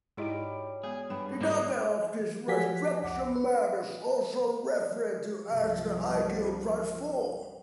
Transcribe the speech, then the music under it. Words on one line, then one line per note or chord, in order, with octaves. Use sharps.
The target of this restriction map is also referred to as the ideal transform.
G#2 F#3 G3 D#4 E4 G#4 D#5 D7
G#3 B3 G#4
G2 B3 G#4 B4 G5
G#2 G3 A#3 E4 D5 F#6
F3 F#4 G4 F#5 G#5 B6
C2 F2 F#5 D6
B4
C2 G2 C3 F3